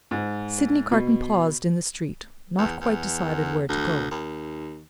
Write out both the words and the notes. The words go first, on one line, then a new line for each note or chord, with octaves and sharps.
Sydney Carton paused in the street, not quite decided where to go.
G#2
B2
E2
E2
D2
D#2